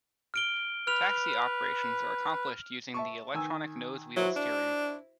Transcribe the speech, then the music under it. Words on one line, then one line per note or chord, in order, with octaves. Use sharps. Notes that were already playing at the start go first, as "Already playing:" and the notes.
Taxi operations are accomplished using the electronic nose wheel steering.
F6 D7 G7
B4 F6 F7
E5 A5 C#6
D#3 G#5 E6
F#3 E4 F#4 C5
D4